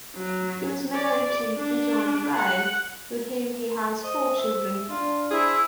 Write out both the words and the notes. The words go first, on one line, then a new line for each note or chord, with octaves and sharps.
He was married to Regine Frey, with whom he has four children.
F#3
D5
D4
F#5
C5 D#5
E5
D4 F4
E4 G#4 C5